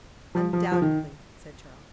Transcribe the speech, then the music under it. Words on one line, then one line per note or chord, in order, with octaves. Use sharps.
"Undoubtedly," said Charles.
F3
F3
F3
D#3